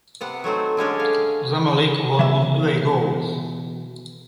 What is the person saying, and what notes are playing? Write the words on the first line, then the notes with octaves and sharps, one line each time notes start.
Zamalek won on away goals.
C3 B3 F#5
F#3 A3 C4 D#4
D3 G#3 C#4 D4
F5
B2 E3 E5